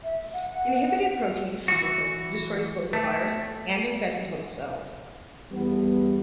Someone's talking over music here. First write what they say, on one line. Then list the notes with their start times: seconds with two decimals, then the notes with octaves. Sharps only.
Inhibited protein synthesis destroys both the virus and infected host cells.
0.04 E5
0.33 F#5
1.68 E3 F#4
2.93 A3
5.51 E2 G3 A3 B3